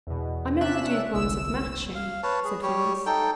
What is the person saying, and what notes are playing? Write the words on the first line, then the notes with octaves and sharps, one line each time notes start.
"I met the Duke once at Matching," said Phineas.
E2 B2
C3 C#4 D4 E5 F#6 E7
G1 C2 E6 E7
F5
B4 C#5 A5
G#4
G3 G4 C#5
D#4 A4 G5